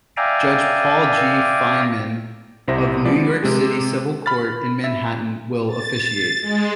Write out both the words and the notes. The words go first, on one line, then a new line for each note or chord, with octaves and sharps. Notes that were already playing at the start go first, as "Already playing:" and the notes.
Judge Paul G. Feinman of New York City Civil Court in Manhattan will officiate.
D5 E5 F5 G5 G#5 A#5
C2 C3 E4 C5 E5 A#6
F3 G#3 B3 E4 D5
C3 G#3 G4
B5 F6 A6
E5
A6
G#3